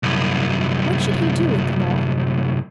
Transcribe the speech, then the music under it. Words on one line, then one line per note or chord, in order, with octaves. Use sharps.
What should he do with them all?
C2 F#2